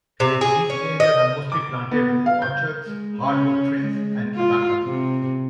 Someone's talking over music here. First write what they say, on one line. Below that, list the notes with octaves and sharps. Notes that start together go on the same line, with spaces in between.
These areas are mostly planted with orchards, hard wood trees and abaca.
C3
G#4
C#4
D#5
D6
B3
F5
G6
G#3
C#4
G#3
F4
C3